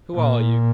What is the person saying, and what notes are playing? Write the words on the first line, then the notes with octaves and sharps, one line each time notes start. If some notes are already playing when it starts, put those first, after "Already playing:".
"Who are you?"
A#2